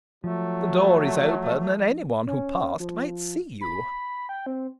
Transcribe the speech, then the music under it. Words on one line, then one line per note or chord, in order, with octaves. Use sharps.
"The door is open, and any one who passed might see you."
F3 F#3 A3
C#4
F3
B5
G5
C4